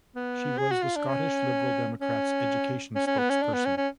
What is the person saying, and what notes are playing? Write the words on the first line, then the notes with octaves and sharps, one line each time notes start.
She was the Scottish Liberal Democrats' Education Spokesperson.
B3
G#4
F#4
F4
D4
C#4
C#4
C#4
C#4
B3
C#4
D4
B3
C#4
C#4